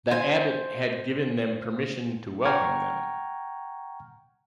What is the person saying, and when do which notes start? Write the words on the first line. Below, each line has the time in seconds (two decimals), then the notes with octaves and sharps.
The Abbot had given them permission to welcome them.
0.11 C5 G#5
2.45 F#5 G5 A#5 C#6 F6 G#6